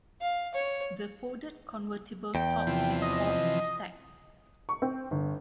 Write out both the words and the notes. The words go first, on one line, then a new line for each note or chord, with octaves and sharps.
The folded convertible top is called the stack.
F5
C#5
E2 G5
C3 E3 F3
D#5
C#6
C4
G1